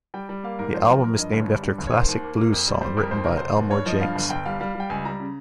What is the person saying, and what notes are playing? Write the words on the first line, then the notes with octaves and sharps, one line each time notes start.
The album is named after a classic blues song written by Elmore James.
G3 G5
G3
A#3 F5
G#2 A#4
F3 C5
F3 A#4
F3 A#4
G2 D#5
G1 C#5
G3
G2
G1
C#5
D#3 C5
D#2
A#3
A#3
F2
G3
G3 C5
F2 A#4
D#2 C5
F1 A#4
F1 C5
D#2
G2 C#5
F3 D#5
G2 F5
G1
G1 G5
G3 F5
G3 F5
G3 G5
C#2 G#5
G3 A#5
C#3